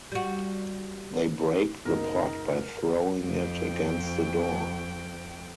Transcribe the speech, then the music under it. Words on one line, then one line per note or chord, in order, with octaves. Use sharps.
They break the pot by throwing it against the door.
G3 F#4
F#1 D2 B2 D#4 A#4
F2 G5